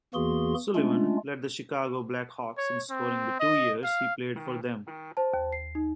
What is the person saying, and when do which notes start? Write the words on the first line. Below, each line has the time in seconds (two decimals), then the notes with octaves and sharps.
Sullivan led the Chicago Blackhawks in scoring the two years he played for them.
0.14 E2 E3 A#3 F#4 G#4 C6
0.75 G#3 A3 C#4 D4 F4
2.58 C#5
2.90 C4
3.40 D#5
3.83 F5
5.17 C5 A5
5.34 D#2
5.53 C7
5.75 D#4